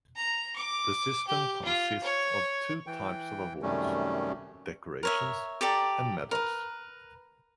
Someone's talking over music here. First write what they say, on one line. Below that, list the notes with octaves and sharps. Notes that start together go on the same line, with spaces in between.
The system consists of two types of awards: decorations and medals.
A#5
D6
G4
F4
C#5
E3 G5
F#2 C3 D#3 G3 A3 C#4
A#4 C#5 E5
G4 A4 D5 A#5
A#4 B4